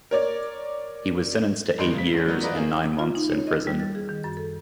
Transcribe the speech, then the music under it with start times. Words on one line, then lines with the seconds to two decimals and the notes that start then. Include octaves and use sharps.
He was sentenced to eight years and nine months in prison.
0.11 A#4 C#5 D5
1.78 G#1 G2 D#3 G#3 C6 D7
1.94 C#3 B6
2.13 D2 A2 C#4
2.26 A2 D#3 F#3 B3
2.43 F4 F#4 A#4 B4 D5 D#5
2.56 D#3 F4 G#4
2.99 F4
3.15 D#4
3.31 C#5
3.47 D#5
3.67 G3
3.80 A6
3.95 G#4
4.09 D#3
4.24 F#2
4.37 A4